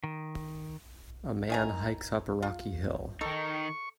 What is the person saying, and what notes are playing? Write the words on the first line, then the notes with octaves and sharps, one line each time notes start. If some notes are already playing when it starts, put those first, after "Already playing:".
A man hikes up a rocky hill.
D#3
D#3 G#5 A#5
F4
D#3 D#4 A4 C#6